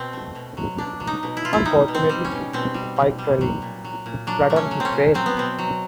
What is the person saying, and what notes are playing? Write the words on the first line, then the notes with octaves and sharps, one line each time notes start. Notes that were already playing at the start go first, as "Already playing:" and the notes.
Unfortunately, Pike fell in, flat on his face.
Already playing: B2 C4
A3
B2
F#3
B2 D4
F#3
D#4
B2
E4
B2 F4
E4
G3 D#4
B2
C4
G3
C#4
B2
B2 C4
G3
B2
G3
F#3
A#2
F#3
A#2
F#3 D4
A3
C#4
F#3
C4 C#4
A#2
F#3 C4
B3
B2 C4
F#3